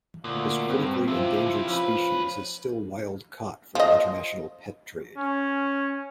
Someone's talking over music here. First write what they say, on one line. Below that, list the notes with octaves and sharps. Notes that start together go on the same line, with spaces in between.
This critically endangered species is still wild-caught for the international pet trade.
D2 A#2
G2 C4
C3 F3 E4
F3 C#4 B4
F3 D#5
C#4